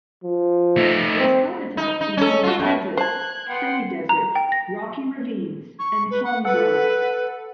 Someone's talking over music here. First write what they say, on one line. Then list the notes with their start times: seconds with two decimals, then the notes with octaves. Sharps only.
Its habitat includes desert, semi-desert, rocky ravines, and palm groves.
0.23 F3
0.77 A3 D#4
1.19 C4
1.77 D#4
2.01 D#4
2.17 C#4 A4
2.43 F4 F#4
2.60 F#2
2.97 C5 A5 F#6 G#6
3.49 B3 F#5 G5 C6
4.09 A#5
4.35 G5
4.52 A#6
5.79 C#6
6.10 B4
6.24 F#5
6.45 A4 B4 F#5